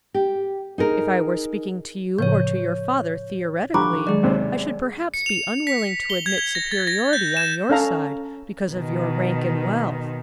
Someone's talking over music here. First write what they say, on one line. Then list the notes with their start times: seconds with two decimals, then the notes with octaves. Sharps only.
If I were speaking to you or to your father theoretically I should perhaps be unwilling to admit superiority on your side because of your rank and wealth.
0.14 G4
0.78 D#4 G#4 A#4
2.19 A2 C#3 F3 C#5 G6
3.74 D3 F3 G3 A#5 B5 C#6 D6 F#6
4.07 D#3 F#3 G#3 G#4 D5
4.23 D#2 C3 C5
5.14 C#7
5.26 F7
5.67 B6
6.10 G7
6.26 G#6
6.38 G#6
6.55 A#6
6.71 A6
6.87 A#6
7.13 G6
7.37 E7
7.70 C#4 A4 F5 A#5
8.71 B2 D#3